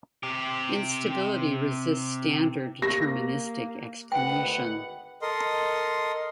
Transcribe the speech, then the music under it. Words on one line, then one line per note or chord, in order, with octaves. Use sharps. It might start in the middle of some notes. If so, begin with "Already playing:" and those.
Instability resists standard deterministic explanation.
C3 G4
A#3 G4 A#6
G#1 D2 B4 F#5 G5
A4 A#4 D#5 C6